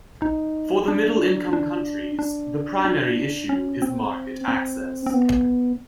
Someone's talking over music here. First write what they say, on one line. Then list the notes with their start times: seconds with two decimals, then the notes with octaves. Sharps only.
For the middle-income countries, the primary issue is market access.
0.22 D#4
0.88 D4
1.53 D4
2.19 D4
2.85 D4
3.49 C#4
3.82 C4
4.48 C4
5.06 C4
5.14 B3